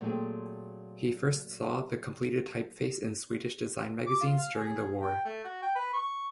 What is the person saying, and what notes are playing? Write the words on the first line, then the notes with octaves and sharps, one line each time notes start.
He first saw the completed typeface in Swedish design magazines during the war.
A#2 F#3 A3 C4 G4 G#4
D6
F4
F5
G#4
G5
A3
F#4
G5
B4
C#6